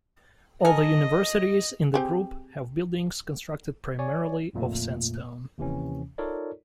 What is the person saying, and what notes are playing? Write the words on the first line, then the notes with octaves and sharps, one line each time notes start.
All the universities in the group have buildings constructed primarily of sandstone.
A4 A#4 D#5 G#5
C4 G4 G#4
C#5 D5 G#5
G1 F2 A#2 A3 A#3
D#2 C3 E3 C#4
D#4 F4 A4 A#4 C#5 D5